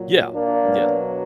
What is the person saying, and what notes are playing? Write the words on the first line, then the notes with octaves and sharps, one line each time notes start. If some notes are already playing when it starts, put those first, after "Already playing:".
Yeah, yeah.
Already playing: A#2 F#3
A#3 D4
B2 F#3